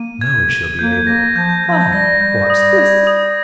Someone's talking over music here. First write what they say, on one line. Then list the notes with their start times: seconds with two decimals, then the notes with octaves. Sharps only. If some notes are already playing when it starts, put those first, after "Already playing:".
"Now we shall be able--Why, what's this?"
Already playing: A#3 D#7
0.21 G#6
0.50 D#7
0.79 A#3 G6
1.07 A#3 A#6
1.35 F3 G6
1.64 F3 G6
1.92 G3 A#6
2.21 G3 G6
2.50 D#6
2.78 G#6
3.07 D#6